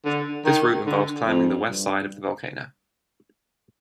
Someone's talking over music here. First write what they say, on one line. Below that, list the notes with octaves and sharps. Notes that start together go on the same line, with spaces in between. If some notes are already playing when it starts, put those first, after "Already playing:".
This route involves climbing the west side of the volcano.
D3
D#3
D3
F2
G2